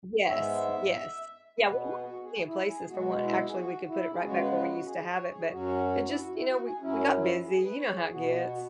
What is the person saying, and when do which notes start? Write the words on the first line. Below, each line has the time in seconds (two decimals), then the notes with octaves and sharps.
Yes, yes. Yeah, we want plenty of places for one actually, we could put it right back where we used to have it, but, it just, you know we we got busy, you know how it gets,
0.24 C#5
0.29 G#2 G#3 B3 E5
1.59 B2 B3 B4
1.81 G#4
1.88 B4
1.95 G#4
2.03 F#4
2.24 G#4
2.47 E4
2.69 G#4
2.90 B2 G#3 B3 F#4
3.23 E4
3.48 G#4
3.55 F#4
3.89 E4
4.14 G#4
4.20 C#3 G#3 B3 F#4
4.30 C#5
4.37 B4
4.54 B4
4.70 F#4
4.86 G#4
5.08 C#5
5.30 G#4
5.51 F#2 F#3 C#4 F#4
6.08 E4
6.17 F#4
6.33 E4
6.49 F#4
6.65 G#4
6.81 F#2 F#3 C#4 E4
7.15 E4
7.47 G#4
7.64 B4
7.79 C#5
7.96 G#4
8.12 B2 B3 F#4
8.28 F#4
8.45 F#4